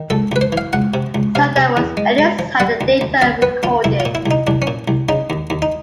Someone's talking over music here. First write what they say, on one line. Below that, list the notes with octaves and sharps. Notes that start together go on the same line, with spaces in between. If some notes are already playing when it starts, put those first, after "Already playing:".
Seldom was any site data recorded.
Already playing: D#3
C#2 A4
C#2 B4
C5
E3 F5
C#2 F#5
C3
C#2
C3 F5
C3
E2
G#3
G#3
F3
G3 F#5
D2
D2
D2 F5
B3 B4
D2 F4
C2 E4
F4
A#2
E4
C2
D#4
C2 D4
C#4
A#2
C2
C#3 D#4
D#2
D#2
D#4